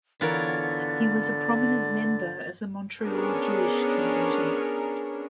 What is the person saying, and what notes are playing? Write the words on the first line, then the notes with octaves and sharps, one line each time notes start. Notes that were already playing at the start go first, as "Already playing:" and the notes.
He was a prominent member of the Montreal Jewish community.
D3 E3 B3 F4 A#4 C#5 A6
B3 C#4 D4 G#4 A#4 C#5